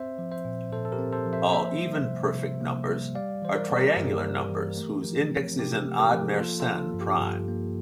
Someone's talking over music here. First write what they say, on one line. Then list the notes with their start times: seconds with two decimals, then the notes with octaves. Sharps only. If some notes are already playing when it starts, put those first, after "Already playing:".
All even perfect numbers are triangular numbers whose index is an odd Mersenne prime.
Already playing: C4 C5 E5
0.19 F3
0.32 C5 E5
0.45 A#2
0.72 A#2 A4 C5
0.85 A4
0.92 G4 A#4
0.99 C4
1.13 A4 C5
1.26 F3
1.33 C5 E5
1.53 A#3 C5 E5
1.80 G3
2.07 C3
2.35 C3
2.61 A#3
2.88 G3
3.15 G3 D5 F5
3.42 E3 C5
3.56 A#4 D5
3.69 A#3
3.76 G4 A#4
3.97 G2
4.24 G3
4.50 E3
4.78 A3
5.05 F3
5.32 C4
5.59 C3 G4
5.86 A3
5.99 G4 A#4
6.13 F3
6.40 A#3 F4 A4
6.60 F4 A4
6.67 F3
6.94 G2
7.01 G4
7.21 G2
7.48 A#3